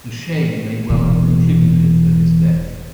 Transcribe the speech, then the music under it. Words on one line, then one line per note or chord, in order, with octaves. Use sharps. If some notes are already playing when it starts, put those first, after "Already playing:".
The shame may well have contributed to his death.
E1 E3